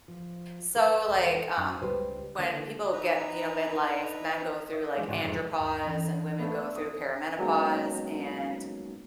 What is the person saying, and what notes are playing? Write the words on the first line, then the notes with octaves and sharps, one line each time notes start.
So, like, um, when people get, you know, midlife, men go through, like, andropause and women go through perimenopause, and
F3
A4 B4
E1
F#2
C#2 G3 B4 C5
D3 A#3
D#4 B4 E5 A#5
C#5 D#5 E5
E3 G#3 D4
G#1 C#3 F#4 C5 D5 F#5
C2 F2 G#2
D2 G2 D3
E3 C#4 B5
A3 B3 C5 D5 E5
D#6
F#3 G#3 A#3 B3 C#4 D#4